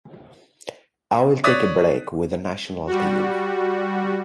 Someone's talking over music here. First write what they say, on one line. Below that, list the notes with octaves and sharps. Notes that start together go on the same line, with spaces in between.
I will take a break with the national team.
C#5 D5 D#6 F#6 A6 B6
G3 F#4